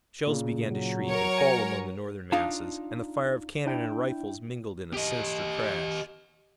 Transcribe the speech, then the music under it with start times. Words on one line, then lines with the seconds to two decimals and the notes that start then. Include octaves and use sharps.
Shells began to shriek and fall among the Northern masses, and the fire of cannon and rifles mingled in a sinister crash.
0.27 A#2 C#3
0.70 F#3
1.08 A#4 C#5
1.38 G#5 A#5
2.32 D4 D#4 F4 F5 A5
3.66 D4 E4 G5
4.94 G4 D#5